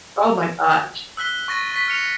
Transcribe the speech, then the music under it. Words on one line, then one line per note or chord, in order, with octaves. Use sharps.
Oh my gosh.
E6 F#6 B6 G7
C#6 A6 A#6 D#7
C#6 A6 B6
F6 C#7 F7